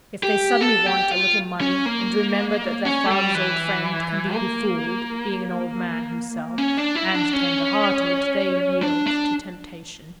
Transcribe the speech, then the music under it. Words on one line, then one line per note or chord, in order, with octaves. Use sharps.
If they suddenly want a little money and remember that their father's old friend can be befooled, being an old man himself, and tender-hearted, they yielded to temptation.
G4
A4
G4
F4
C#4
A#3
C#4
A3
G3
E3
A#3
C#4
D4
E4
D4
C#4
D4
D4